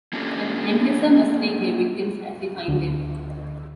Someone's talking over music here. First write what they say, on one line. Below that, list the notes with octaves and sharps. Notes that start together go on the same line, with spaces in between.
An aggressor must take their victims as they find them.
A#3 C#4 D4 F4 G4 A4
D2 D3